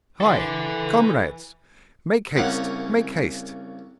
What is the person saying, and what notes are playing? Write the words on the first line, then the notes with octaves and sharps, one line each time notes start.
Hi! comrades, make haste! make haste!'
E3 A4 F#5
C2 C#3 A#3 C#4 F#5